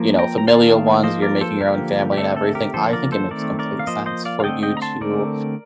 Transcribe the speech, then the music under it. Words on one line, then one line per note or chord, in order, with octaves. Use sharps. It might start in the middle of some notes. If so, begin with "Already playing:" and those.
you know, familial ones, you're making your own family and everything, I think it makes complete sense for you to
Already playing: F3 A#3
G5 A#5
A#5
D#3 A#3 F5 A5
F3 A#3 C5 D#5
A#4 D5
A4 C5
D3 F3 A#3 G4 A#4
G4
D3 A3 C4 A4
A4
G4 A#4
D3 F3 A#3 A4 C5
A#4 D5
A4 C5
D#3 A3 C4 A#4 D5
A#4 D5
F5
F3 A#3 C5 D#5
C5 D#5
D5 F5
F5
D3 A3 C4 D#5 G5
D#5 G5
A#5
A5 C6
D3 A3 C4 A#4 D5